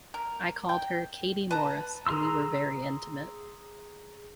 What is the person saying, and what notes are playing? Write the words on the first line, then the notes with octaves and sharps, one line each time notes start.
I called her Katie Maurice, and we were very intimate.
A#4
G5
B4 A5 A#5
G#4 A#5 C6 E6